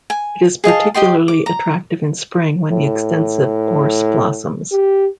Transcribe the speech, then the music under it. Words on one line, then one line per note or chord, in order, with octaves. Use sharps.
It is particularly attractive in spring when the extensive gorse blossoms.
G#5
G#4 D#5 F5 A5
G4 D#5 G5 C6
D6
A#5
A2
G4